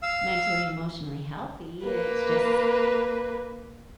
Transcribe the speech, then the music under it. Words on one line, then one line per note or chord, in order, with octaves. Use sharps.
mentally and emotionally healthy, it's just
F5 E6
A#3 B4